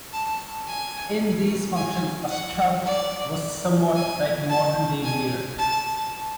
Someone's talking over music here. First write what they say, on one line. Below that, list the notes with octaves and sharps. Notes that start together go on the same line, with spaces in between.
In these functions, a "schout" was somewhat like a modern-day mayor.
A5
G#5
G#5
F#5
D5
G#5
A5
G#5
A5